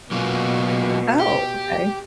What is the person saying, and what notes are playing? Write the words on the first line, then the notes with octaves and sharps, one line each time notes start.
Oh, okay.
B2 F#3 A#3 F4
G4